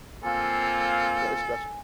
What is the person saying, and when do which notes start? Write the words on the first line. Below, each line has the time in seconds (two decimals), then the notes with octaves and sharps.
Yeah, that's stress
0.23 A#3 C4 F4 A4 G#5